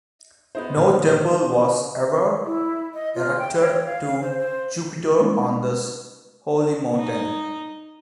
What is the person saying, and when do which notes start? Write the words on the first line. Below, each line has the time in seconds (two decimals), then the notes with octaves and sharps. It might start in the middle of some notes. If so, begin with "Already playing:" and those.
No temple was ever erected to Jupiter on this holy mountain.
0.55 B3 D#4 C5
0.77 A#2
2.46 E4
2.94 D#5
3.15 F4
3.39 G5
3.60 C#5
3.85 F5
4.22 C5
4.39 C5
5.18 G3 G#3 A#3 C#4 D#4 E4
6.96 D#4